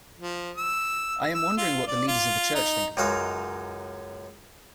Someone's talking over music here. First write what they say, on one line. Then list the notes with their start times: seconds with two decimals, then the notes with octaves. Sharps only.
I am wondering what the leaders of the Church think of it.
0.19 F3
0.56 E6
1.34 E6
1.57 F4
1.87 D5
2.08 F4
2.54 D#4
2.97 C#2 F#2 D#4 F#4 F5